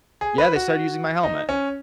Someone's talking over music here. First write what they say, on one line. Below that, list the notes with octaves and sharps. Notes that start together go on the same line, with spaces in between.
yeah, they started using my helmet.
G#4
B4
F#4
D#4
C#4